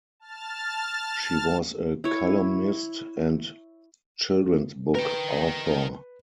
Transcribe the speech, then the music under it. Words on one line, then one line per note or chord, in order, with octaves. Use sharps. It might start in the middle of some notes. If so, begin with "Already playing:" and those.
She was a columnist and children's book author.
A5 F6 A6
E4 C#5
A#4 B4 G5